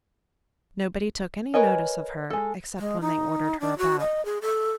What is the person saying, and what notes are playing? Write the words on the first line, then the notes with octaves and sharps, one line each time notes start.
Nobody took any notice of her except when they ordered her about.
A#4 B4 C#5 D#5 G#5
G#3 A4
G#3
D#4
D4
F#4
D#5
G#4
A4